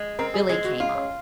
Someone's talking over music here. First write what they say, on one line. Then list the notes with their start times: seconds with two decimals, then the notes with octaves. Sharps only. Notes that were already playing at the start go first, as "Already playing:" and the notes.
Billie came up.
Already playing: G#3
0.19 C4 A#4
0.34 G#4
0.49 G#3 G#4
0.65 F#4
0.80 F4
0.95 C#4